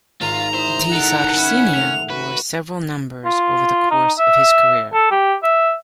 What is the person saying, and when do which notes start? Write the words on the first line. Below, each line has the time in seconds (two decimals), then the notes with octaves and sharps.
DiSarcina wore several numbers over the course of his career.
0.21 G#1 F4 A#5
0.54 E4 C5 D#6
0.93 D#4 A4 A#4 F#5
1.37 C#4 E4
1.75 A3 F7
2.10 C#4 F#4 B4
3.25 F4
3.91 D#4
4.18 E5
4.94 A4
5.11 G4
5.43 E5